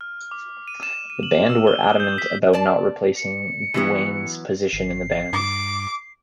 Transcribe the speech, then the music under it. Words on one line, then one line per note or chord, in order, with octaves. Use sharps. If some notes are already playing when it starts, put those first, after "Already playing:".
The band were adamant about not replacing Duane's position in the band.
F6
D6
D#7
E7
D#7
F#7
E6
G7
D#6
G6
B6
D5 A5
C#7
E3 F#3 B3
G#1 C7
G2 D6